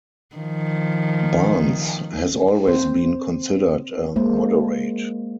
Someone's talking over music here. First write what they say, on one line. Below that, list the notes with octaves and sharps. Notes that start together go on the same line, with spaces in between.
Barnes has always been considered a moderate.
D#3 F3
C4 C5
G#3 A#3 C5